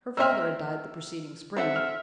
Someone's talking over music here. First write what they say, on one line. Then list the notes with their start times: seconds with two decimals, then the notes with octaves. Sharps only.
Her father had died the preceding spring.
0.17 A#3 D#5 E5 E6 F6
1.56 C4 A4 E5 F#5
1.76 F6